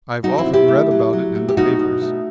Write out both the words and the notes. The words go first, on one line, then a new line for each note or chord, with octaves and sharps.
I've often read about it in the papers.
F#3 D#4 F#4
C4 E4
C3
E4 G4
A3
F#3
F#3
A3
G4
B2 D#4 F#4
B2
A3